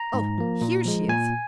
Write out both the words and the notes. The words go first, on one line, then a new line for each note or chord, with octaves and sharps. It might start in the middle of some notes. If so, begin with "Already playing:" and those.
Oh! here she is!
Already playing: A#5
G#2
F3 A#3
A#2
F3 G#3
A#2 G#5